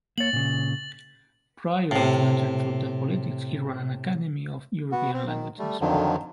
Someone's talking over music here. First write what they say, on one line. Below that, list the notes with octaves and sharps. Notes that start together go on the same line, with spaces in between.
Prior to entering full-time politics he ran an academy of European languages.
A#3 C#5 A6 F#7
A#2 C#3
A2 C3
B3 F#4
C4
D#3
G3 A3
F2 D3 D#3 F3 F#3